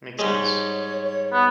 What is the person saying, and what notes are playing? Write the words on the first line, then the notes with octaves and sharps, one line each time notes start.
Makes sense.
G#2 G3 G#3 C#5
B3